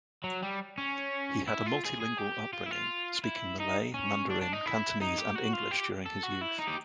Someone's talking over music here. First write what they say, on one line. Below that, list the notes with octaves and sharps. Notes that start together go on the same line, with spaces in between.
He had a multilingual upbringing, speaking Malay, Mandarin, Cantonese and English during his youth.
F#3
G3
C#4
E4
F4
G#4
G#4
G4
F4
E4
F4
E4
D#4
C#4
D4
D4
D#4
E4
D#4
G4
F#4
F4
G4
A4
F#4
E4
D#4
G4